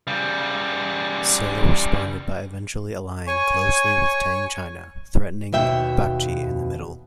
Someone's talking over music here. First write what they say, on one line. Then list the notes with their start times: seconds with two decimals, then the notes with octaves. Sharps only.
Silla responded by eventually allying closely with Tang China, threatening Baekje in the middle.
0.07 C#3 G3
3.27 C#5 G#5 C#6
5.53 D#2 B2 E5 G5